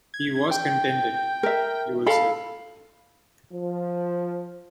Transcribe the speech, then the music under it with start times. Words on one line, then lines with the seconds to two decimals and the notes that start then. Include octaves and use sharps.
He was contented, you will say.
0.14 G#6
0.51 G5
1.43 A#4 E5
2.06 A4 F5 B5
3.53 F3